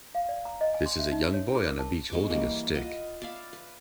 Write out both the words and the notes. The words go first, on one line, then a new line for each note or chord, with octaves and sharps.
This is a young boy on a beach holding a stick.
F5
D5
A#5
D#5
G#5
C6
E5
D#4
C#5
G#4
A#4
A5
B2 G#3 C#6 D6
E3 G3 A#3 B4
F4 D#5 F#5 B5
D5 E5 F5 B5
B4